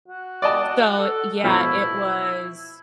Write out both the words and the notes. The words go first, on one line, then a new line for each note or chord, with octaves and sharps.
so, yeah, it was,
F#4
D5 D#5 A5
A4
B2 F3 E4